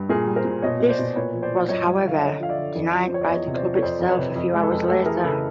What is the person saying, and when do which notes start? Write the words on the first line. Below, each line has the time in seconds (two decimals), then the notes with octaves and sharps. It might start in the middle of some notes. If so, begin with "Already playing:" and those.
This was however denied by the club itself a few hours later.
Already playing: G2
0.09 A#2 G#4 A#4
0.27 G3
0.36 A#4 C5
0.45 A#2
0.62 B2 C#5 D#5
0.80 B2
0.89 C5 D5
0.99 B2
1.16 A#2 B4 C#5
1.33 F3
1.43 C5 D5
1.51 F3
1.69 F#2 C#5 D#5
1.86 G3
2.05 D3 F5
2.14 E5
2.22 D3 C#5 D#5
2.40 F3 F5
2.49 D5 E5
2.58 D3
2.75 F2
2.93 F3
3.07 C5
3.12 F3 C#5
3.21 D5
3.28 E2 C#5 D#5
3.47 C3
3.55 C5 D5
3.64 F3
3.75 C#5
3.82 F2 C5 D5
3.99 F2
4.08 B4 C#5
4.18 C3
4.36 F2
4.53 G#3
4.62 A4 B4
4.71 F2
4.88 A3 G4 A4
5.01 B4
5.06 E3 G#4 A#4
5.24 C#3 A4 B4